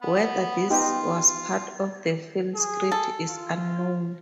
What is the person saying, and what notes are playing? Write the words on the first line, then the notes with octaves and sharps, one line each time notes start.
Whether this was part of the film's script is unknown.
B3 F#5
B3 D#4 F4 G4
G#4
A4
F4